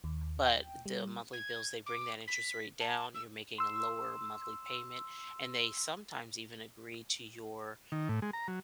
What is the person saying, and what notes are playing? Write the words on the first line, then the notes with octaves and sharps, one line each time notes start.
But the monthly bills, they bring that interest rate down, you're making a lower monthly payment, and they sometimes even agree to your
D#2
G5
G3
G#6
D6
B6
A5
E6
C6 E6
D#3
A2
G#3
A#5
F#3